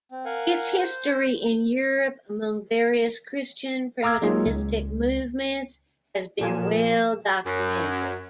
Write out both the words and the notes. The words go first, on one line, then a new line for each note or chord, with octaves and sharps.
Its history in Europe among various Christian primitivistic movements has been well documented.
C4
A#4 F5 F#5 G#5
C5
F5 A#5 D6 E6 F6 G#6
F#3 G#3 A#3 D#4 F4 G#4
C#2 C#3
A#2 F3 F4 A4 G#5 E7
F#2